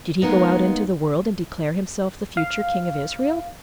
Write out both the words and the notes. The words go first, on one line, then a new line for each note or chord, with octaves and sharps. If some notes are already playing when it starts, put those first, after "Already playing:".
Did he go out into the world and declare himself the future king of Israel?
G#3 A#3 B3 D#4
F5